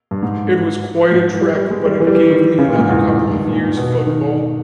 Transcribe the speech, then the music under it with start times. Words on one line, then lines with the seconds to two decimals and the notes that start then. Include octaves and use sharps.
It was quite a trek but it gave me another couple of years football.
0.11 G2
0.23 G#2
1.12 G#2
1.34 E3
1.41 G3
1.56 G3
1.71 G#3
1.86 G3
2.00 E3
2.07 G3
2.14 E3
2.30 D#3
2.59 C#3
2.69 A#2
2.79 G#2
2.89 E2
3.04 G2
3.18 G#2
3.27 G2
3.35 G#2
3.47 A#2
3.77 B2
4.07 D#3